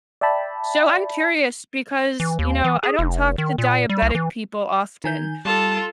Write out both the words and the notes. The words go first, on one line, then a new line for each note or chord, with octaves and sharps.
So I'm curious because, you know, I don't talk to diabetic people often.
D5 E5 G5 A5 B5
E3
D#2
E3
G#4
F1
D#3
A#2
G3
C2
E3
D#3 G#5 G6
G3 F4 A4 A5